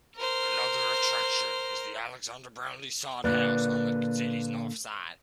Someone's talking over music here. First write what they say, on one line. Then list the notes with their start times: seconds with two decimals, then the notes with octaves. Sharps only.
Another attraction is the Alexander Brownlie Sod House, on the city's north side.
0.16 A#4 C5
3.24 A#2 D3 A#3 B4 D5 F#6